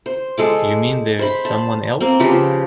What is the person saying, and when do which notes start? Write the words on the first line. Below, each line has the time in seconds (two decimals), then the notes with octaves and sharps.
You mean there's someone else?
0.06 C5
0.38 G#3 A4 D6
1.19 C5 B5
1.45 A5
2.01 A#3 C4
2.20 C#3 F3 G4 B4